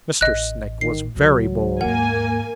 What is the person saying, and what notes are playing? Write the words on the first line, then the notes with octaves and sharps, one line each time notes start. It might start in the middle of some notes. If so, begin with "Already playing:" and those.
Mr. Snake was very bold.
A1 D#5 F#6
D#3 C7
C#2 E3 F#3
D#2 G#2 A#3 F#5 G#5